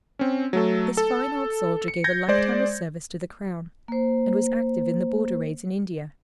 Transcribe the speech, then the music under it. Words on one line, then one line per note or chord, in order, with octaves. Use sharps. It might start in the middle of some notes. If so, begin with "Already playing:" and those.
This fine old soldier gave a life-time of service to the crown, and was active in the border raids in India.
C4 C#4
F#3 A3 A4
A4
C#7
G6 G#6 A#6
G#3 C5 D5
A#3 C5